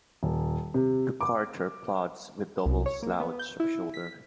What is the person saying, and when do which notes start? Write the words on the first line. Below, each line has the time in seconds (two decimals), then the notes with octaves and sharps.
The carter plods with double slouch of shoulder.
0.23 D#1
0.74 C3
1.21 D6
2.66 C2
2.86 C#5
3.03 A#3
3.20 B3
3.39 G6
3.60 E4
3.94 B6